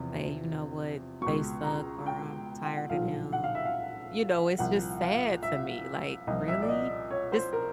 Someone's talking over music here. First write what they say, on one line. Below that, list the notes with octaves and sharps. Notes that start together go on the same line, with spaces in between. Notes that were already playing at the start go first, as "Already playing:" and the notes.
say, "You know what? They suck," or "I'm tired of them," you know, it's just sad to me. Like, really? This
Already playing: E2 C3 F3
C#2 B2 C#6
A#5
G5
G5
F#5
B1 A#2 F3 F5
F#5
F5
E5
F5
C2 A#2 F3 F#5
F5
E5
C2 A#2 F3 D#5
E5
D5
D#5
C#5
C5
A#4